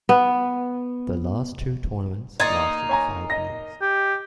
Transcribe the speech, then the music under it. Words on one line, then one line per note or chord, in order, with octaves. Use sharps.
The last two tournaments lasted five years.
B3
A#3 D#4 C6 G#6 A6
C#5 G#5 A#5
D#5 A#6
G4